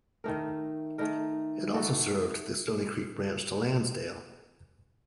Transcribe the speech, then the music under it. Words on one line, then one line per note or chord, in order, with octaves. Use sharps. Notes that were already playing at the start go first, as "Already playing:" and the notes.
It also served the Stony Creek Branch to Lansdale.
D#3 A3 D#4 A#4
D#3 A3 D#4 A#4
A3 D#4 F#4 A4